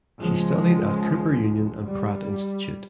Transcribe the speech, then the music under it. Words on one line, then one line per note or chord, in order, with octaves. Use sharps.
She studied at Cooper Union and Pratt Institute.
C#2 F3 G#3
G3